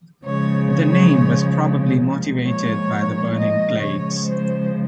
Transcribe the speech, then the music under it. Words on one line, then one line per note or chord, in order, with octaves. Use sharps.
The name was probably motivated by the burning glades.
C#3 F3 G#3 C#5
C#5
A#2 F3 G#3
C#5
D#5
C#3 F3 G#3 C#5
C5